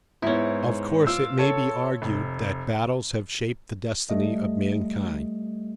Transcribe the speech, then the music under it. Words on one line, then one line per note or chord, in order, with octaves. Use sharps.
Of course, it may be argued that battles have shaped the destiny of mankind.
G#2 B3 E4 C#5
F4 D6 E6
A4 C#5
F1
G3 A3 D#5